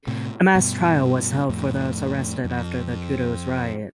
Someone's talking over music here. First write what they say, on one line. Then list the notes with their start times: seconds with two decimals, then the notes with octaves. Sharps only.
A mass trial was held for those arrested after the Kudus riot.
0.07 A2 C3
0.55 G2 B2
1.49 F2 A2
2.44 F2